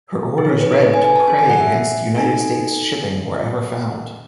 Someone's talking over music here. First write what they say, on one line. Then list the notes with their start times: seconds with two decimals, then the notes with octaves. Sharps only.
Her orders read to prey against United States shipping wherever found.
0.38 D#4 G#4
0.50 C#5
0.61 B4
0.72 A4
0.82 B4
0.94 G#5
1.04 G#5
1.16 A5
1.28 C#4 G#4 G#5
1.39 G#5
1.50 F#5
1.60 E5
2.16 D#4 A4 G#5